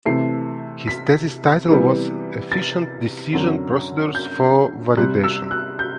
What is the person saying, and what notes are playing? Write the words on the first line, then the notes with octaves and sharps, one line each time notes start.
His thesis title was ‘Efficient decision procedures for validation’.
C3 E3 A3 C4 C7
B6
C3 E3 G3 B3
A6
F#2 D3 F#3 C4
G6
C3 G3 C4 F#6
E6
F#6
G6